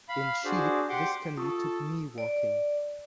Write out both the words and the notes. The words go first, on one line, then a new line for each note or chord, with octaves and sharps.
In sheep, this can lead to knee-walking.
F5 B5
D4 F#4 G#4 C5 D5
G4 F#5 C6 D6
F4 A4 C#6 D#6
D5